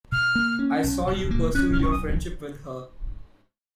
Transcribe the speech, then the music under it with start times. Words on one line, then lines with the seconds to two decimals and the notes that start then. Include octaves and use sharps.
I saw you pursue your friendship with her.
0.12 B2 F6
0.35 A#3
0.59 C#4
0.84 B1
1.07 B2
1.31 A#3
1.55 C#4 F#6
1.73 F6
1.79 B1 C#6
1.91 D#6